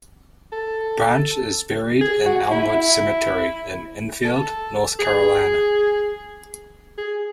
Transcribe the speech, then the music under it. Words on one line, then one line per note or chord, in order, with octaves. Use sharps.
Branch is buried in Elmwood Cemetery in Enfield, North Carolina.
A4
G#4
F#4
E4
A4
G#4
G#4